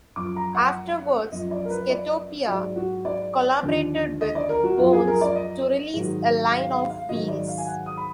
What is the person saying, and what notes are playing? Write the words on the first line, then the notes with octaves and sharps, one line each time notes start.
Afterwards Skatopia collaborated with Bones to release a line of wheels.
F#2 F3 D6
A#5
F#5
F#2 F3 D#5
D5
A#4
B4
D5
G#2 F#3 D5
F#4
D5
D#2 D3 F3
D#5
D5
A#4
F#4
F#2 F3 F4
G#4
A#4
D5
D#5
G#2 D#3 F#3
F5
F5
F5
G#2 D#3 F#3 D#5
D5
F5
G#5
F#5
D#6
B5